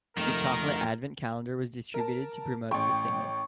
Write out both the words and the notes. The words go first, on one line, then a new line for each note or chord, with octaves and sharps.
A chocolate advent calendar was distributed to promote the single.
F2 D#3 A3 D#4 A#4
A#4 A5
A1 G5 C#6